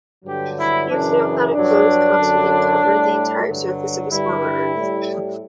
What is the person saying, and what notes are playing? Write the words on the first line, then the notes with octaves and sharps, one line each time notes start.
He assumed that a closed continent covered the entire surface of a smaller Earth.
G2 D3 F#3 G4
E4
F#2 C#3 E3 D4
G2 F#3 D4
F#2 D3 F#3
A2 G3
G2 D3 F#3
G2 D3 G3 E4
A2 G3